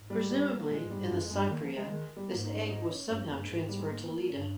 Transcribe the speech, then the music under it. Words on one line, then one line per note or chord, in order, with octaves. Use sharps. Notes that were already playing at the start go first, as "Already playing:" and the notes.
Presumably, in the "Cypria", this egg was somehow transferred to Leda.
Already playing: G#2
G3
G3
A#3
A#2 G#3
G#2
G3
G#2
G2 G#3
F2
G2 G#3
D#3 A#3
F3
G#3
D#3 G#3
G3
G#2 A#3
D#4
C#4
D#4
C#4
G2 C#4
F2 C4
A#3
G2 G#3
G#2
G3
G#3
A#3
C4
A#3
G2 C#4